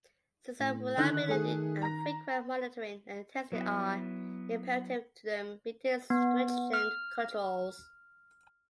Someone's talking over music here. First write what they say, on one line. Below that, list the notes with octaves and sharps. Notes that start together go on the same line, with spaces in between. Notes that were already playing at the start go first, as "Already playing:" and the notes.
System reliability and frequent monitoring and testing are imperative to them meeting stringent controls.
A2
D3 D#3 D#4 F#6
A3 G#4
A#5 A#6
F#3 B3 E4
B3
F6